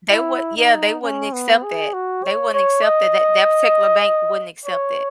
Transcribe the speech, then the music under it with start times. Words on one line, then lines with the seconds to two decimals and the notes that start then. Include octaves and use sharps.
They would yeah, they wouldn't accept that. They wouldn't accept that, that that particular bank wouldn't accept that.
0.11 E4
0.57 D#4
1.03 C#4
1.33 B3
1.63 G#4
1.94 F#4
2.24 C#5
2.54 C#5
2.84 D#5
4.66 C#5